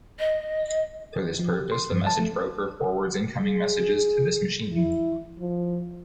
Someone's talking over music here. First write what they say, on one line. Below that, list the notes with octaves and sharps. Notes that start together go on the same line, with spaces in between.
For this purpose the Message Broker forwards incoming messages to this machine.
D#5
F3
G4
C6
G2
A5
A3
G#4
E4
F3